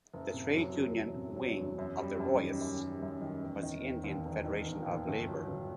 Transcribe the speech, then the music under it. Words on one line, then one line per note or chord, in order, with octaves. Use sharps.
The trade union wing of the Royists was the Indian Federation of Labour.
F#1
C3
F#3
E2
F#1
C3
F#3
E2
F#2
G3
F#2
D#3
F#2
G3
F#2
D#3
E1
D#3
E1
D#2
E1
D#3
E1
D#2
G1
F#3
G1